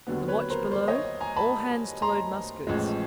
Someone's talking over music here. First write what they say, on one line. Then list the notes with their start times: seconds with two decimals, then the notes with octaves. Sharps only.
The watch below, all hands to load muskets.
0.07 D#2 D3 F#3 B3
0.28 B4 C#5
0.50 A#4 C5
0.71 C5 D5
0.88 C#5 D#5
1.20 G#5 A#5
1.36 A5 B5
2.02 A#5 C6
2.67 A1 A2 F3 G#3